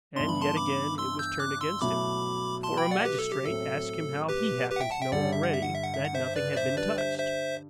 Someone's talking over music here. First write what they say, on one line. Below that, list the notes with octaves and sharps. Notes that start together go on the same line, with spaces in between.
And yet again it was turned against him; for a magistrate asked him how HE happened to know already that nothing had been touched.
G2 E3 B3 D4 C6
B5
A5 C6
B5 D6
C6 E6
E6 G6
D6 F#6
C6 E6
B2 F#3 A3 E4 B5 D6
A5 C6
G5 B5
D5 F#5
G4 B4
A4
G4
A2 F#3 A3 C4 A4
G4 B4
G4 B4
F#5
E5 G5
F#5 A5
E5 G5
G2 D3 G3 D5 F#5
E5
F#5
E5
F#5
E5
F#5
E5
F#5
C5 E5
B4 D5
D5
C5 E5
D3 G3 D4 B4 D5
C5 E5
C5 E5